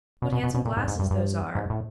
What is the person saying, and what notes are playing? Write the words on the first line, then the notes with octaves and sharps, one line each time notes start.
What handsome glasses those are!
B2
B2
B2
B2
A#2
G#2
G#2
G2
G2
G#2
A2